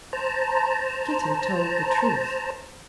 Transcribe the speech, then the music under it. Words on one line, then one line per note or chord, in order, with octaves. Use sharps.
Kitty told the truth.
C5 A5 A#5